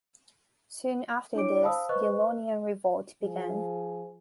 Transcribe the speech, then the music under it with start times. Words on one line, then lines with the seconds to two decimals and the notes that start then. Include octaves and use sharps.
Soon after this, the Ionian Revolt began.
1.35 D4 E4 C#5 D6 D7
1.62 C5 F5 A5 B5 D#6 E6
1.89 B4 C5 D#5 C#6 F#6
3.23 F3 G#4